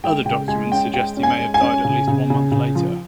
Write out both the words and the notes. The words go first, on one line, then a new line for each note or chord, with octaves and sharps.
Other documents suggest he may have died at least one month later.
G#3 G5
C#3 G5
G#3 G#5
C#4 G5
G#3 G5
C#4
G#5
G#3
G#5
C#4
C#3
C#3
C#3
C#3
F3